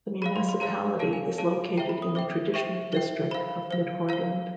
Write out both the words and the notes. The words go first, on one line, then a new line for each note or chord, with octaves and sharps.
The municipality is located in the traditional district of Midhordland.
G#4 C#5 F5 B5
C6
C6
G#4 C#5 F5 A#5
G#4 C#5 F5 A5
G#5
G#4 C#5 F5 A5
C5 E5 G5 A#5
B5
D#6
C5 E5 G5 D6
C5 E5 G5 C#6
C5 E5 G5
C5 F5 B5
C5 F5
C5 F5 A#5